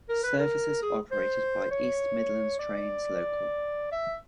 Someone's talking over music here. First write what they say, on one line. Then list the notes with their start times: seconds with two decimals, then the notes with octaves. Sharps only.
Services are operated by East Midlands Trains Local.
0.09 A#4
0.23 B4
0.38 A#4
0.82 G#4
1.12 C5
1.71 C#5
2.59 D5
3.92 E5